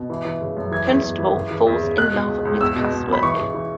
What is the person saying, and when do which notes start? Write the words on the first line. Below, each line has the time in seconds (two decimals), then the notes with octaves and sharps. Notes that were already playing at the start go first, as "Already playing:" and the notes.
Constable falls in love with Passworthy.
Already playing: B2
0.10 E3
0.25 E3
0.41 C#3
0.57 F#2
0.71 E3 G#6
0.87 E2
1.03 E2
1.19 E3
1.34 C#3
1.50 E3
1.67 E2
1.81 C#3
1.97 B2 F#6
2.13 B2
2.28 C#2
2.45 C#2
2.61 E2 E6
2.75 B2
2.92 B2
3.07 B2
3.12 B5
3.23 E3 C#6
3.39 C#3
3.54 E3